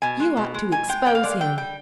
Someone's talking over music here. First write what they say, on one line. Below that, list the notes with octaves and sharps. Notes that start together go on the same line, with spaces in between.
"You ought to expose him."
B2 G#5
G#3
B2
G#3
B2 G#5
G#3 G5
B2 G5
F5
G#3 D5
F5
D3 G5
G3 G5